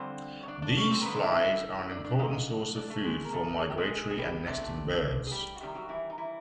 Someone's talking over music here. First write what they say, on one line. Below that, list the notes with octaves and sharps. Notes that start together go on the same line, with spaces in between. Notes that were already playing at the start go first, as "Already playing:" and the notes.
These flies are an important source of food for migratory and nesting birds.
Already playing: F2 D3 G3 C4 C5
C#5
D4 D5
D4 D5
C#4 C#5
C4 C5
A#4
G2 D3 G3 B3 B4
C4 C5
E4 E5
D4 D5
D4 D5
F#2 D3 F3 D#4 D#5
D4 D5
A3 A4
G#3 G#4
A#4
F#2 C#3 A4
G#4
G4
G#3 G#4
G#4
G3 G4
C3 E3 A3 D4
G#4
G3 G4
F#4
C3 D#3 G3 G4
F#3 F#4
E3 E4
D#4
E3 E4